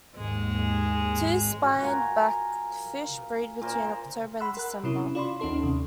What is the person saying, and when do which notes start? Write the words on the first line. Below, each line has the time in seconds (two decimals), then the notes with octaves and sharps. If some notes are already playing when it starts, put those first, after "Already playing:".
Two-spined blackfish breed between October and December.
0.16 D#2 G#2 G#3 G#4
1.15 G#1
1.62 F#4 F#5
1.83 F4 A#4 G#5 A#5
3.61 A#2 A#4 C5
4.40 F#5 B5 C6 E6 F#6
4.57 A#4 F#6
4.84 C3 C#4 E4
5.15 F4 D5 B5 C6
5.40 D#2 C#4 D#4 A4 C6
5.63 D#2 C3